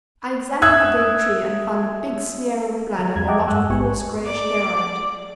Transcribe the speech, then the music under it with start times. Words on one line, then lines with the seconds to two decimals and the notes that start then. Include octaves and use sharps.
I examined the dead tree and found a big smear of blood and a lot of coarse greyish hair on it.
0.62 E5 D#6 E6 F#6 G#6
2.99 F#3
3.16 F2 A#5 G#6
3.28 D#5 E5 F#5 G5 A5 D6
3.47 G2 G#3 G#5 E6 F#6
3.69 A1 G#2 B3 G4 G#5 C#6
4.25 D5 D6